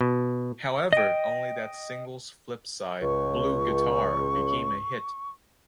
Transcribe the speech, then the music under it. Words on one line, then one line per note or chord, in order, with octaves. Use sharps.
However, only that single's flip side, "Blue Guitar", became a hit.
B2
D#5 G5
C#2 C#6